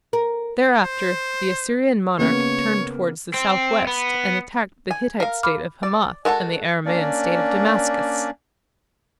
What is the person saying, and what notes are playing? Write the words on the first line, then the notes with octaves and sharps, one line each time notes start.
Thereafter the Assyrian monarch turned towards the south-west and attacked the Hittite State of Hamath and the Aramaean State of Damascus.
A#4
C5
C#3 A#3 B3 C#5
C4
B3
G#5
A#4 F5
B5 D6 F6
D5
G#3 F#4 A4 A#4 F#5 A5
A#3 C#4 D4 D5